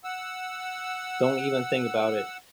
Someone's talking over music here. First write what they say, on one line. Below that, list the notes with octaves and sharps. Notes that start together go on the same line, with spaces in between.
Don't even think about it.
F#5 E6